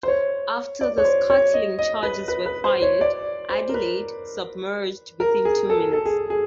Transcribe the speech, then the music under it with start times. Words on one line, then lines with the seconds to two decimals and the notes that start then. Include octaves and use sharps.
After the scuttling charges were fired, "Adelaide" submerged within two minutes.
0.03 C5
0.08 C#5
0.81 D5
0.98 C#5
1.05 C5
1.30 C#5
1.54 D#5
1.79 D#5
2.03 B4
2.28 B4
2.46 B4
2.64 C5
2.82 C#5
3.01 D5
3.50 C5
3.69 A#4
3.74 B4
5.20 A#4
5.45 G#4
5.70 A4
5.93 A4
6.05 G#4
6.30 G#4